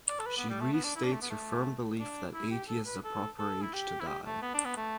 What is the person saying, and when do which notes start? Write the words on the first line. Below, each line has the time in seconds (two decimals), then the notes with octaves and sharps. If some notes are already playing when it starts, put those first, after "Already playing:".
She restates her firm belief that eighty is the proper age to die.
0.08 D5
0.19 A4
0.26 B4
0.37 B3
0.49 G3
0.60 A3
0.73 B3
0.83 D4
0.96 E4
1.04 D4
1.12 A3
1.21 B3
1.30 A3
1.99 D4
2.34 E4
2.51 G4
2.68 A4
2.86 B4
3.04 A4
3.39 A4
3.62 E4
3.73 G4
4.00 E4
4.07 G4
4.25 A3
4.42 B3
4.54 D4
4.65 B3
4.76 A3